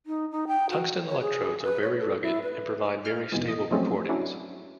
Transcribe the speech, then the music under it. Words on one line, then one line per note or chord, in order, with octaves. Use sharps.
Tungsten electrodes are very rugged and provide very stable recordings.
D#4
D#4
G5
F#4
C#5
G#4
B4
C#5
A4
E4
B4
F6
E2 G#2 B2 E3 G#3
D#5
F3 F#3 G#3 A3 C4 C#4
F#3 C#4 D4 E4